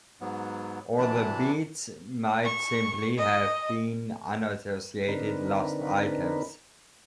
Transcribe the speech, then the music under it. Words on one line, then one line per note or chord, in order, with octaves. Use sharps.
Or the beads might simply have been unassociated lost items.
G#2 F#3 B3
C3 E3 F#3 D4 A5 B5
C#6
D#5
D3 C4 D4 D#4 A#4 B4